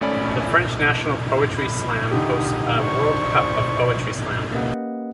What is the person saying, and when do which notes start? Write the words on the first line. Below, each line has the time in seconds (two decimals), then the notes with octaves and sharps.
The French National Poetry Slam hosts a World Cup of Poetry Slam.
0.01 G#1 A3 C#4 D5 B5
0.61 A#1
1.57 B5
2.11 D3 D#4 G4 D#6
2.81 C5 D5 C#6
4.52 A#3 C#4 G4 B4 D#5 F#5